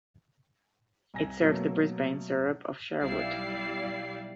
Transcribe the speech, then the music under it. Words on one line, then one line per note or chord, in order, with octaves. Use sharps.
It serves the Brisbane suburb of Sherwood.
C2 G#5 A#6
B2 F#3 A3 A#3
B1 G3 E4 D5 F5 C7